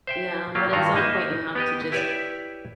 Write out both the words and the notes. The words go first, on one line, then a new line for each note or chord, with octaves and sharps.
Yeah, but at some point, you have to just
C5 E5 G5
F#3 A#3 F4 G4
G2 D#3 E3 F4 F#4 A#5
A#3 D#4 D#5 E5
B3 G4 D#5
E4 G4 B4 C#5 D5 E5